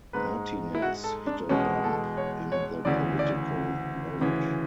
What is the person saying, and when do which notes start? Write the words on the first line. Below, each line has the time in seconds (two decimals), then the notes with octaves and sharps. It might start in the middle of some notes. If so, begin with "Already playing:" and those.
Martinez hit a bump in the political road.
0.13 G#2 G#3 B4
0.75 E4
0.82 F#4
1.04 A4
1.27 D4
1.49 E2 B2 G#3 C#4
1.84 A4
2.17 C#5
2.52 C#5
2.85 D2 C#3 E3 D5
3.19 D5
4.21 D2 C#3 E3